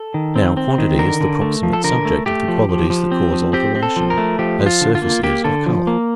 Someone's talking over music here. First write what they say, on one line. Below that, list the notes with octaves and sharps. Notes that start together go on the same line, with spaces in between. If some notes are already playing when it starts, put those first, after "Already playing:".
Now quantity is the proximate subject of the qualities that cause alteration, as surface is of color.
Already playing: A4
D#3
C4
C4
D#3
D3 A#4
D3
A3
F3
A4
D3 A#4
A3
A3 G4
F3
F3
F3
C4
F3
C4 G4
C4
A4
F3
A#4
A3
F3 G4
F3
F4
D3
F4
A#3
A#3 G4
D3 A4
F3
A#3